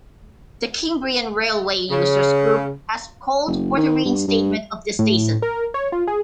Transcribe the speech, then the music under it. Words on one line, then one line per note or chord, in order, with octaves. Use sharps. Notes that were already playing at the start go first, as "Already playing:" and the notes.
The Cambrian railway users group has called for the reinstatement of this station.
C#3
F#1
D#3
G2
G2
A2
A#4
C#5
F4
G#4